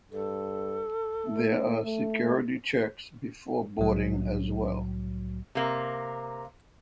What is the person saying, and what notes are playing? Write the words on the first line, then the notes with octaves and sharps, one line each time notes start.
There are security checks before boarding as well.
G2 A4
A3
A3
C2 A2 F#3
C3 A#3